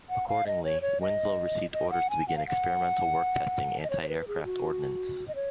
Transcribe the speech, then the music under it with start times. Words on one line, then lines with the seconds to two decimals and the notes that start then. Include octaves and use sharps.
Accordingly, "Winslow" received orders to begin experimental work testing antiaircraft ordnance.
0.10 F#5
0.28 F5
0.47 D#5
0.64 C#5
0.82 C#5
1.01 D#5
1.73 D#5
1.91 F#5
2.10 G#5
2.28 F#5
2.37 F5
2.47 F#5
3.84 D#5
3.90 C#5
4.02 C#5
4.09 B4
4.28 G#4
4.45 F#4
5.28 D#5
5.35 C#5